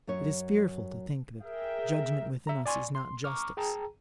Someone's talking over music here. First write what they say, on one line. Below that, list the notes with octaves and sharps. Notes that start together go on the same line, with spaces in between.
It is fearful to think that judgment within us is not justice.
F#2 F#3 C#4 C#5
G#4 A#4 E5 G5
E5 A#5
D5 G#5 C6 C#6
C6
A#5 C#6 D6 F6
G#4 G5 A5 A#5